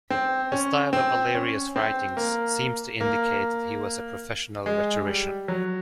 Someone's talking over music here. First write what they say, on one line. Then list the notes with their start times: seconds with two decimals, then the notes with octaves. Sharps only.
The style of Valerius's writings seems to indicate that he was a professional rhetorician.
0.10 C4
0.52 C#4
0.93 C4
1.35 C#4
1.76 C4
2.17 A#3
3.01 A#3
4.66 G#3
5.07 G3
5.48 F#3